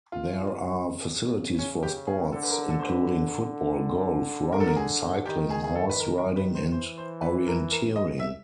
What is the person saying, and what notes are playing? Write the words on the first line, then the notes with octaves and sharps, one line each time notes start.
There are facilities for sports including football, golf, running, cycling, horse-riding and orienteering.
F4
C#3
C#4
G4
G#4
D3 A4
B4
A#4
A4
C5
B4
A#4
A4
A#4
G#4
D#3 G4
G#4
G#4
A4
B4
A#4
A#4
B4
C5
E3 C5
C5
B4
A#4
A#4
D#5
E5